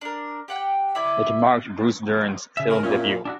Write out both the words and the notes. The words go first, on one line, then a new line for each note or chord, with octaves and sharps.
It marked Bruce Dern's film debut.
D4 A#4
G4 F#5 G5
E4 D5 E5
C#3 E5
G#4 A#4
A#2 C#4 E4
D4 E4 F#4